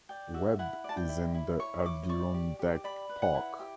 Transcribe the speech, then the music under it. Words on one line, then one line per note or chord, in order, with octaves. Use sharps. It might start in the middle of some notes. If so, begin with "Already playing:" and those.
Webb is in the Adirondack Park.
D5 G5
F#4 E5
E4 F#5
D5 A5
G5
E4
E4
C#5 C#6
E4 D6
D5 C#6
G4
G4
D5 B5
B4
F#5
E4
G4